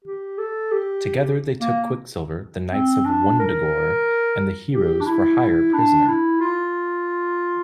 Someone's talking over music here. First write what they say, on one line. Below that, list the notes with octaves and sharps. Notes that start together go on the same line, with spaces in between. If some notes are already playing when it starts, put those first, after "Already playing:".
Together they took Quicksilver, the Knights of Wundagore, and the Heroes for Hire prisoner.
G4
A4
G4
A#3
C4
D4
A#4
G4
D4
E4
E4
D4
E4
F4